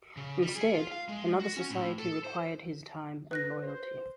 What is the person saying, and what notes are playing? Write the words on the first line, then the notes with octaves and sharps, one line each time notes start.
Instead, another society required his time and loyalty.
C#3
G3
G#4
F4
F5
G#3
F#4
C#4
A2
A4
C5
B4 F#6 A#6
C5